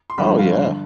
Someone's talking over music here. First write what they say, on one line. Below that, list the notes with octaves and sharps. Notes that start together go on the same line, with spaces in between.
Oh, yeah.
C6
G1 G2 D3 F3 B5
F5
D3